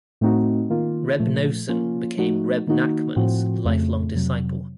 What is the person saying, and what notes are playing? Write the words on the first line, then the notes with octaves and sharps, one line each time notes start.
Reb Noson became Rebbe Nachman's lifelong disciple.
A2 A3 C4 D#4 F#4
D#3 A#3 F4
A#2 F3 A3
F3 A#3 C#4 F4
F3 A3 D#4 F#4
D#3 A#3 D#4 F#4
A2 F3 C4 F#4
F2 C#3 A3
F2 C3 F#3